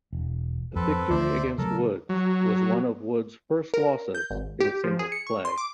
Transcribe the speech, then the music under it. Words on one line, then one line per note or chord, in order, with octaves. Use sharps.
The victory against Woods was one of Woods' first losses in singles play.
E1
F2 C4 A4 B4
D2 D3 A3 C5 D5 E5
C#3 F#3 A3 A4 A#4
F#3
A#4
G6
G#1
G4
F3
G#4
C#7
C#6
C6
D6